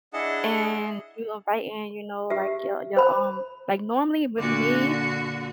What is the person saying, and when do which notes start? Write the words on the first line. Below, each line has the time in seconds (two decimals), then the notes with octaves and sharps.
and you invite in, you know, like, your your, um like, normally with me
0.13 D4 E4 G#4 D#5 F#5 A5
2.30 G4 E5
2.96 C5 B5
4.38 A#2 D3 F#4 D6